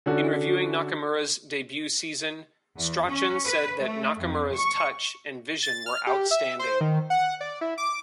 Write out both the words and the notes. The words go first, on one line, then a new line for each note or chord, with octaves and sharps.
In reviewing Nakamura's debut season, Strachan said that Nakamura's touch and vision were outstanding...
D3 C#4 D4 F#4 A4
E2
C#4
B4
A3
F2
C#6
A6
F6
G4
E5
C5
D#3
F#5
D5
E4
D6